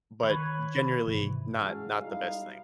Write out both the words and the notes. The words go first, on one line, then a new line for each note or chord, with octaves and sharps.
but generally not not the best thing.
D#3 B4 C#5
G#2 C3 E3
G#3 C#4 E4 F#4 A4 F5
B1 G3 D#4 E4 F5